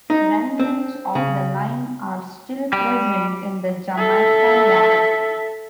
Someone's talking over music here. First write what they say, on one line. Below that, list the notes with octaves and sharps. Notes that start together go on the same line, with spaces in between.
Remnants of the line are still present in the Jamaica Yard.
D#4
C4
C#3
G3
A4 E5